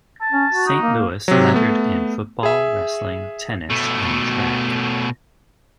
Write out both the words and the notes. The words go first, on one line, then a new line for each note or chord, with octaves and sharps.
St.Louis lettered in football, wrestling, tennis, and track.
A5
C#4
F#4
D#4
A#3
C3 F#3
A3 B3
G#4 E5
B2 A3